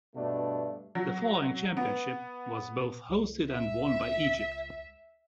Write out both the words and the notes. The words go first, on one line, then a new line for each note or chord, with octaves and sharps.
The following championship was both hosted and won by Egypt.
G2 B2 A3 D4
F#3
B3
C#2
E5